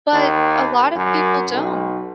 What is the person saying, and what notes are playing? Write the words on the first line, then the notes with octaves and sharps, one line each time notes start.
But, a lot of people don't.
D#2
F#2
B1